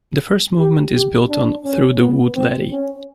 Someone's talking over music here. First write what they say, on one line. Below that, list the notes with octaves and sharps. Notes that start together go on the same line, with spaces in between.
The first movement is built on "Through the Wood Laddie".
G4
G4
D4
C#4
B3
C4
C#4